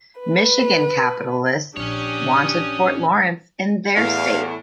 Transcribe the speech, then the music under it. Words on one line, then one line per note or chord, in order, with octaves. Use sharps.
Michigan capitalists wanted Port Lawrence in "their" state.
B4
A#1 C#4 D4 G4 C#5 D#6
E2 A2 F5